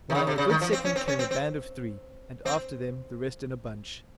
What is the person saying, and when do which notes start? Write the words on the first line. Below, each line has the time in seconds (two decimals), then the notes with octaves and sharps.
Lying a good second came a band of three, and after them the rest in a bunch.
0.10 D#3
0.15 C#3
0.27 C3
0.38 C#3
0.50 D#3
0.61 F3
0.73 C4
0.85 C#4
0.96 C4
1.08 C#4
1.19 C4
1.31 C4
2.45 C4